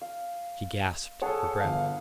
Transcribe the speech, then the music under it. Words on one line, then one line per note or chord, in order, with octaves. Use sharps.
She gasped for breath.
F5
G#4 A4 C#5 F#5 A5
G1 F5